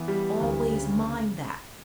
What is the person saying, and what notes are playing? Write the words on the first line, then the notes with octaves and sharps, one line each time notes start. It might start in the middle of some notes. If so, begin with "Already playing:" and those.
Always mind that.
Already playing: E3 B3
G3
D2
C#3